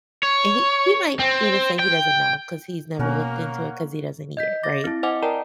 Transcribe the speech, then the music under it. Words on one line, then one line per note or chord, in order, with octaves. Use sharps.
He he might even say he doesn't know 'cause he's never looked into it 'cause he doesn't need it, right?
C#5
C4
G5
B2 A#3 C#4 F#4 A#4
D#5 G6 B6
D6 A6 A#6
C4 E4
C5 D#5 F#5 G#5 D6
A#4 D5 G5 A5 A#5